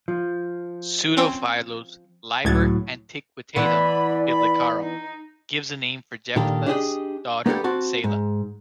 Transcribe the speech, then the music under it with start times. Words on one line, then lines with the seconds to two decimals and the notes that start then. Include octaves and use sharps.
Pseudo-Philo's "Liber Antiquitatum Biblicarum" gives a name for Jephthah's daughter, Seila.
0.08 F3
1.17 C4 C#4
2.45 C#2 A2 F#3 G#6 A6
3.56 E3 B3 D5 B5
4.26 B5
4.83 D#4
6.36 A#2 D#3 A#3 D4 G4 A4
6.66 D4 G4 G#4 D#5
7.46 A#3 B3 D4 G4 A4
7.64 C4 F#4 A5
8.04 G#2